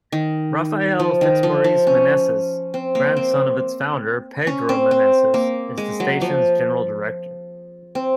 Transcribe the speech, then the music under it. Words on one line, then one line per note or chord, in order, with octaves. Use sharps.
Rafael Fitzmaurice Meneses, grandson of its founder, Pedro Meneses, is the station's general director.
D#3
F3
D#3
F3
F3
C#4
C4
A#3
C4
C#4
C4
C4
A#3
G#3
F#3
F3
C4